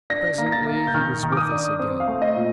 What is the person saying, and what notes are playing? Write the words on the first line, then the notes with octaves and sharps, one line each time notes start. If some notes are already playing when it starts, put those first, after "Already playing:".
Presently he was with us again.
D4 A#6
A#3
A#6
A6
A#3
G6
D#3 F6
D#3
D6
D#6
D4
C4
F5
A3
D#5
A#2